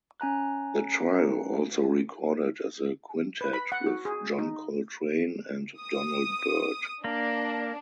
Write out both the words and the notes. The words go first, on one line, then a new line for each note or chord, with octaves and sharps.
The trio also recorded as a quintet with John Coltrane and Donald Byrd.
C#4 G#5 A#5 F#6
B4
B5
F#5
F#4
G#4
D#4
D#6
A#3 D4